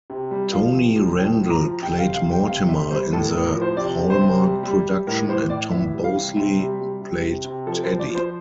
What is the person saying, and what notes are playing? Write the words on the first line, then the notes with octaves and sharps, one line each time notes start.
Tony Randall played Mortimer in the Hallmark production and Tom Bosley played Teddy.
C3
G3
F3 F5
C3
F3
F3 G5
A2
A#5
F3
C3 G5
F5
C3
F5
C3
G5
C3 F5
C3 E5
G3 C5
A2 A4
A#4
A2
A#4
F3
C5
C3 D5
C3
C5
C3
G3
G3
G3
A2 A#4
E3 C5
A2 D5
E3 E5
G3
F5
C3
C3 E5
G3
G3
C3
C3
C3
F3 A4
C5
F3
D5
F3
C5